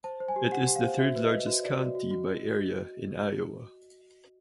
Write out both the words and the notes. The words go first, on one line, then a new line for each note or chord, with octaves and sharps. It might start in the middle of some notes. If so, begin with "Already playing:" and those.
It is the third-largest county by area in Iowa.
C5 A5
C5
G#5
G4
G4 F#5
G4
F5
C5
F#4 E5
B4
D#5
B4
F#4
D5
F#4
F#4
F#4